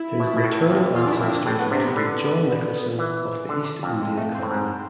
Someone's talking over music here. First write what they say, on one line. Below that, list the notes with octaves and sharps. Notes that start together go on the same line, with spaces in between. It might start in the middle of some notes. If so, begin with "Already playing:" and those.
His maternal ancestors included John Nicholson of the East India Company.
Already playing: E4
B2
B2
A2
F2
E2 F4
D4
E4
F2
D4
A2 C4
B3
C3 D4
B3
D3
E3
D3
F2
G#3
A3
C4
A2
G#2